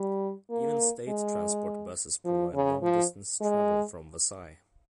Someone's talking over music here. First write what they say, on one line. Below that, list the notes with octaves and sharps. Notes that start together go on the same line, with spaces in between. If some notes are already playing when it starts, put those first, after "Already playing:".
Even State Transport buses provide long distance travel from Vasai.
Already playing: G3
A#3
G#3
F3
C#3
F3
G#3